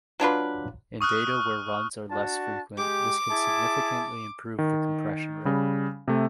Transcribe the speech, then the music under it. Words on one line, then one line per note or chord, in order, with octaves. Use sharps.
In data where runs are less frequent, this can significantly improve the compression rate.
F#3 D4 F4 B4
C#6 D#6 F6 F#6
D4 F#4 A5
G#3 G4 D6
E4 G#4 A5
D#3
C#3 G3
C3 A3